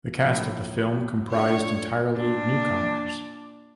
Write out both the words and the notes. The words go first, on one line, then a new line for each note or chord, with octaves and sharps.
The cast of the film comprised entirely newcomers.
A#1 A2
A3 D4 F4 C#5
A#2 D4